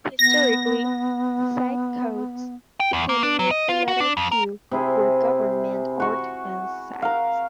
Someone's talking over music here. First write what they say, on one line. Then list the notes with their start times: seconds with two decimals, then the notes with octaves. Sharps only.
Historically, site codes beginning with the letter Q were government or defence sites.
0.19 B3 A#6
2.80 G5
2.93 E2
3.09 A#3
3.23 D4
3.39 F#3
3.51 D#5
3.69 F4
3.88 F#4
4.00 D4
4.17 F2
4.32 A#4
4.71 C3 E4 G#4
6.00 F#4 C#6
7.02 A#4 F5